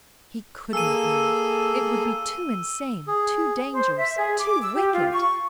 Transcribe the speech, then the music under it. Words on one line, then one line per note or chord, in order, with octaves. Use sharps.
He could not know; it would be too insane, too dangerous, too wicked.
A#3 G#4 A4 E6 D#7
G#4
C5
E5
G#4
D6
E6
G4
F4
C#6